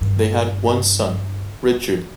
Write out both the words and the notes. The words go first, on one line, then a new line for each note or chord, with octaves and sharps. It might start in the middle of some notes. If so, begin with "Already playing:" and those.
They had one son, Richard.
G2 D#3